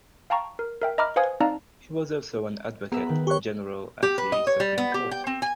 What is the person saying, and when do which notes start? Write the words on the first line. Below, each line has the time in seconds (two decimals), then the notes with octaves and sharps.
He was also an Advocate General at the Supreme Court.
0.30 F5 G5 A5 A#5 C#6
0.59 A#4
0.81 A#4 E5 G5
0.98 D#5 E5 A#5 B5 D6 F6
1.16 B4 C5 F5 G#5 D#6 G#6
1.40 C4 D#4 D5 F5 A5 A#5
2.92 B3 G#4 B4 E5 A#5
3.06 D#3 B5
3.27 G4 C#5 C#6 F#6
4.03 G4
4.18 B4
4.32 D#5
4.47 C#5
4.60 G3
4.78 B3
4.94 G4
5.11 G5
5.27 C4
5.42 G#5